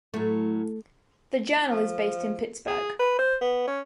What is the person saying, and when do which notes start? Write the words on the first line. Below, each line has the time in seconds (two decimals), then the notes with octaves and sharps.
The journal is based in Pittsburgh.
0.14 A2 F#3 A3
1.72 F3
2.68 G#4
3.00 B4
3.19 C5
3.41 B3
3.67 C#4